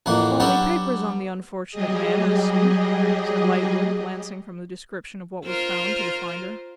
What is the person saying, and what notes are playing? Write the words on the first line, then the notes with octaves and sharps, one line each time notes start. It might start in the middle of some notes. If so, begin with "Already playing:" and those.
'Only papers on the unfortunate man, I see,' said Lightwood, glancing from the description of what was found, to the finder.
A1 F2 E3 F3 A#3 F#5
F#3 B3 D4 G4 A4 F#5
F#3 G3 G4 G#4 D#5
F4 A#4 C5